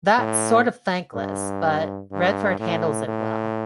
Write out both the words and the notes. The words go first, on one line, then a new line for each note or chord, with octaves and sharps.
That's sort of thankless, but Redford handles it well.
A2
G2
G2
A2
A2